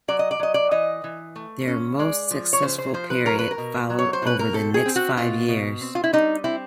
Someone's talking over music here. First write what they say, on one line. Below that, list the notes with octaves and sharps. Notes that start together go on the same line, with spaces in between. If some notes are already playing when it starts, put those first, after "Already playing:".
Their most successful period followed over the next five years.
F#3 D5
D#5
D5
F#3 D#5
D5
E3 D#5
E3
A3
C#4
G#3 D5
F3
C#5
C#3 C5
C5
F3 C5
B4
F#3 A#4
B4
A#4
B2
F#3
C#5
C5
B2 B4
A#4
C4 A4
G#4
C4
F#4
B2 F4
B2
C4
F4
E4
G3 D#4
C4 E4